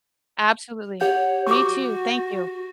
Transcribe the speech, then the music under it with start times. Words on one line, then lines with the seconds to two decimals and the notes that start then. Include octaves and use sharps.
Absolutely. Me too, thank you.
1.01 G4 C#5 F#5 G6
1.47 F#4 C#6 D6